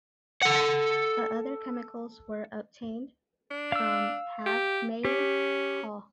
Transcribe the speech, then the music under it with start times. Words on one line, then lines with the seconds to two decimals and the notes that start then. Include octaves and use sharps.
The other chemicals were obtained from Havemeyer Hall.
0.42 A4 F#5
3.51 D4
3.72 F5 E6
4.46 G4
5.05 C#4 G4